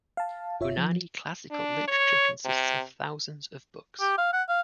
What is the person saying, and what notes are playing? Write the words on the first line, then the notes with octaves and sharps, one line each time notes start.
Unani classical literature consists of thousands of books.
F5 A5
G1 F4 C#5 E5
F3
D4
C#5
C3
G4
F5
F#5
F5